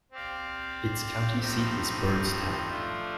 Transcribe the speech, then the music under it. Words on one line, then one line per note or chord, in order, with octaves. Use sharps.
Its county seat is Byrdstown.
C4 G4 D5 F5
A2 F3 C4 D#4 G4
F3 A3 D4 F4 C5